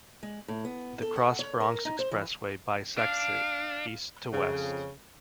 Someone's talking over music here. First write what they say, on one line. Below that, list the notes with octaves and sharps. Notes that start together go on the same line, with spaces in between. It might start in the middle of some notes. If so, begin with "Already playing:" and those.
The Cross Bronx Expressway bisects it, east to west.
G#3
A2
B3
A4
F#5
C#5
A#4
D#4
C5
E3
D4 F5
F2 C#3